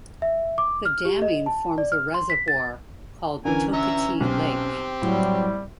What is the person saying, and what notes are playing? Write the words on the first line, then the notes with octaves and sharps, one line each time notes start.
The damming forms a reservoir called Toketee Lake.
E5
D6
F6
G4
D#5
A5
D5
F6
C6
B6
A6
D3 E3 C#4 A#4 G#5
E5 A#5 E6
B1 C4 G4
A2 F#3 G3